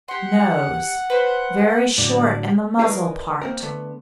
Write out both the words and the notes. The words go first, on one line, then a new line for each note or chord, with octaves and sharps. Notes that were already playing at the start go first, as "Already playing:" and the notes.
NOSE--Very short in the muzzle part.
G4 F#5 C6
B4 C5
A2 D3 F#3 D5
E4 G#4 A#4 B4 D5 D#5
A#3 C4 A#4
D3 A3 B3